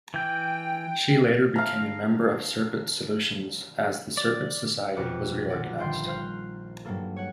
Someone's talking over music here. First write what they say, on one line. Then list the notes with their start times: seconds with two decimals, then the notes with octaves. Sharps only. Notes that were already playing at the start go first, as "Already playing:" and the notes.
She later became a member of Serpent Solutions as the Serpent Society was reorganized.
0.14 E3 G5 G6
1.56 F5 A5 A#5 F6
4.17 D5
4.96 A#1 F2 B2 D6 F#6 C#7
5.49 A#1 D#3 D5 F#5
5.78 G1 D#3 G5 C6
6.06 A#4 C5 F5 F6 F#6
6.85 G2 F#3 A#3 A4
7.16 C#5 F#5